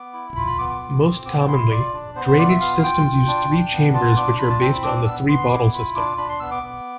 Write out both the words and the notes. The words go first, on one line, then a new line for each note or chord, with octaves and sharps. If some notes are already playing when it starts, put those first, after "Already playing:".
Most commonly, drainage systems use three chambers which are based on the three-bottle system.
Already playing: B3 D6
E4
F4 B5
B5
B3 D6
D6
F4
C4
B3 D6
E4 C6
F4 D5
D4
B3 C5
C5
F4 D5
E5
B3 F5
F5
F4 G5
F4
D4
D4
B3
F4 A5
D4 D6
F4 B5
A5
C4 G5
B5
D4 D6
D6
B3 E6
B3 C6
E4 D6
F4 B5
D4 D6
D4 B5
C6
B3 E6
D6
B3